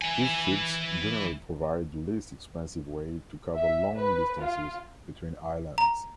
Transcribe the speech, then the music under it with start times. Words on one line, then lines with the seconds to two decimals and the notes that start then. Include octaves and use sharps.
These ships generally provide the least expensive way to cover long distances between islands.
0.02 E3 G#5
3.56 E5
3.96 B4
4.40 F4
5.78 A#5